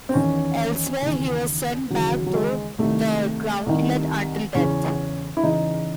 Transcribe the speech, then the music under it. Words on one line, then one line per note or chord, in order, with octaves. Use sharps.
Elsewhere, he was sent back through the gauntlet until death.
C4
E2 D#3 C#4
D#2 C#3 E3
D#2 C#3 E3 F#3
F#3
G#3
C2 C3 D#3 A3
C2 C3 D#3
E2 C#3 E3 C#4
E4
E2 C#3 E3 D#4